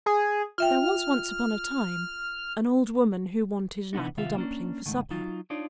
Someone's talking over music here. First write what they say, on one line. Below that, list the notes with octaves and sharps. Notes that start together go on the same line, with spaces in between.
There was once upon a time an old woman who wanted an apple dumpling for supper.
G#4
F4 E5 G5 F6
C3 E3 G#3 B3 D4 D#4
C3 D#3 B3 F4 E5 F5
A#3 C#4 D4
C#2 G#2 D#3 A3
F#3 D#4 F4
D4 D#4 F4 C#5 D5